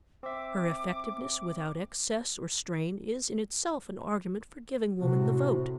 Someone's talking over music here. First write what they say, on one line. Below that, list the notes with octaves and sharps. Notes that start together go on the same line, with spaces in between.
Her effectiveness without excess or strain is in itself an argument for giving woman the vote.
C4 E5 D6
A2 C3 F#4